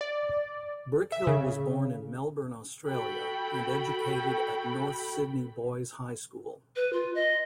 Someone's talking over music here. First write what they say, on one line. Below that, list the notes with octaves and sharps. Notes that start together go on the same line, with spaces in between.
Brickhill was born in Melbourne, Australia and educated at North Sydney Boys High School.
D5
E5
C#3
F#4 A4 G5 B5
B4
F4
D#5